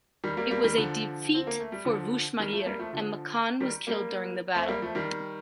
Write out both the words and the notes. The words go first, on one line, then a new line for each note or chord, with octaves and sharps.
It was a defeat for Vushmagîr and Makan was killed during the battle.
D#3 G3
G3 A#3
G3 A#3
D#3 G3
D3 F3
C4
A#3
A3
G3
D3 F3
D#3 G3
F3 A3
G3 A#3
F3 A3
D3 F3
D#3 G3
G3 A#3
A3 C4
G3 A#3
F3 A3
D#3 G3